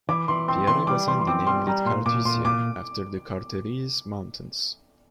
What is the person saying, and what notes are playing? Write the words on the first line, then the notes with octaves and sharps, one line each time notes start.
Pierre Gassendi named it Carthusia after the Chartreuse Mountains.
E3 D6
E3 C6
C4 C6
E3 C6
G3 D6
E3 C6
C6
C4 D6
G3 C6
G3 A#5
A#2 C6
A#2 D6
A#2 C6
A#2 D6